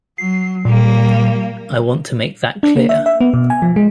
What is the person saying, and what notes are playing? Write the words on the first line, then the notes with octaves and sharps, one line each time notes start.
I want to make that clear.
F#3 C7
A#2 G3 A#3
D4
A#3
E5
E5
B3
B2
G#5
F3
G#3